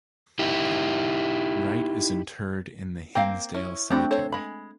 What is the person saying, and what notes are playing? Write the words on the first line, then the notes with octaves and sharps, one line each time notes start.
Wright is interred in the Hinsdale Cemetery.
D#4 E4 G4
A#3 C4 F5 G5
C#4 E4
G3 A3 C4 D4 F#4 G4
A4 C5 C#5
G#3 B5